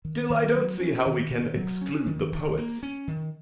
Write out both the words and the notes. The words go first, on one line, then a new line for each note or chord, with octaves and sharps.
Still, I don't see how we can exclude the poets.
D#3
D#3
F#3
C#4
D#3
D#3
F#3
C#4
D#3
D#3
A#3
C#4
D#3